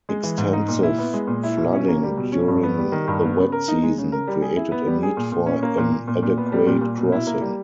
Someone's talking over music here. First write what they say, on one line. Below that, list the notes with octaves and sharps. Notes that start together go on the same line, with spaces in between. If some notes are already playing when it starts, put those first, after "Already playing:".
Extensive flooding during the wet season created a need for an adequate crossing.
G#3
E3
G#2
D#4
A#2
E4
B3
G#3
A#2
E4
B2
C#4
A#3
G3
B2
C#4
G2
B3
G3
D#3
G2
B3
C#3
A#4
D#4
G#3
C#3
A#4
G3
G#4
E4
B3
G3
G#4
A#2
A#2
C#4
A#3
A#2
A#2
A#2
A#2
B3
G3
A#2
A#2
B2
E4
A#3
G3